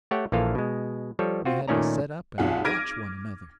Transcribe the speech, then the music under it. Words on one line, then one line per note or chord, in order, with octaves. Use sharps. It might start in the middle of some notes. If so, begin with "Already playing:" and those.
We had to set up and watch one another.
A3 G4 C#5 F#5 G5
A#1 E3 A#3 F4 A4 F5
B2 G#3
F3 G3 A4 C#5
C4 F4 F#4
A#2 D#3 A3 C#4 D5 A#5
F1 B1 F4 G#4 F5 F#5
D6 F6 G#6 A#6 D7 D#7